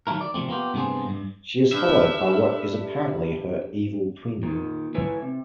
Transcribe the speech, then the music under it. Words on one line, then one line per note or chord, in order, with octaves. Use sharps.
She is followed by what is apparently her evil twin.
D#3 F#3 A3 E4 A#4
D5
C3 F3 F#3 A3 C4
A#3 B3 F4 G4
G2 C3 A3 B3 G#4 C5
G2
G2 E5
A#2 D#3
A2 E4 B4 C#5 G#5
C3